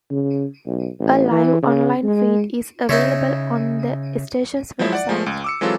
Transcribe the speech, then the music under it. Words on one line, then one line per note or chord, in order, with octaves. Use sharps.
A live online feed is available on the station's website.
C#3
B1
A1
E3
C#3
G#3
C#3 D#4 E4 C#5
F3 F#3 G#3 E4 E5
D5 F#5
F3 G#3 A3
C#2
D6 E6 C#7
E3 F#3 G#3 C4 F4 A4